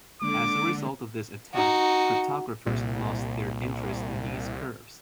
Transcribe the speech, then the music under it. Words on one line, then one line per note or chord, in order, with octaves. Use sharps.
As a result of this attack, cryptographers lost their interest in these curves.
A1 D3 G#3 A#3 D6
D#4 F#4
C2 A#2